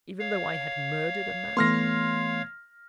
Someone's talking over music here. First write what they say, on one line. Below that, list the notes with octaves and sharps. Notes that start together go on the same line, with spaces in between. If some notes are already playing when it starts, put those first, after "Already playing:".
Even though I had murdered a man?
C#5 F5
E3 A3 B3 C6 F6 A#6